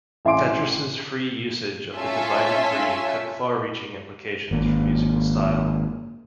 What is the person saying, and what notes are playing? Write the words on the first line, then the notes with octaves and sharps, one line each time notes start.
Petrus's free usage of the divided breve had far-reaching implications for musical style.
A1 E5 G#5 C6 D6 D7
C#4 F4 A4 E5 G#5
G#1 A#3